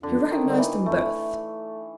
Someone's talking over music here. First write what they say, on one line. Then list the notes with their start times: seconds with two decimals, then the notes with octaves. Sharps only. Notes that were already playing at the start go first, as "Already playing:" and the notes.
He recognised them both.
0.03 F2 D3
0.31 D#3
0.44 D3 G3
0.58 E3
0.86 F2 A3